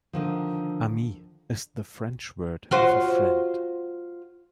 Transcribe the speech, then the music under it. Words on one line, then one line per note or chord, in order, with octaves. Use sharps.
Ami is the French word for friend.
D3 D#3 F3
F4 F#4 C5